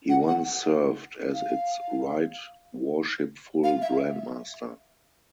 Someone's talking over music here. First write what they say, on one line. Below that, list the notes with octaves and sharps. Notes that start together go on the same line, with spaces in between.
He once served as its Right Worshipful Grand Master.
F#5
F#5
F5
F5
E5